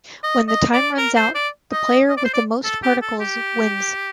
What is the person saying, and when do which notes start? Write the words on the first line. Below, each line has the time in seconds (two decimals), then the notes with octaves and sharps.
When the time runs out, the player with the most particles wins.
0.23 D#5
0.48 D#5
0.73 D5
0.97 A#4
1.16 C5
1.35 D5
1.72 D#5
2.09 D#5
2.17 D5
2.25 C5
2.34 D5
2.64 A4
2.83 G4
3.02 A4
3.20 G4